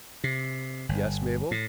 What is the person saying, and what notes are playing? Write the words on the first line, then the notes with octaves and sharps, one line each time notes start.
"Yes, Mabel?"
C3
G1
A2